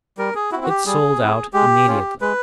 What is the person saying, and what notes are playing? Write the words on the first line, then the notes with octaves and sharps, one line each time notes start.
It sold out immediately.
G3 A#4
G#4
C4 E4 F#4
F#4
G4
G3 G#4
C4 E4
G#3 G4
C#4 F4
G#3 B4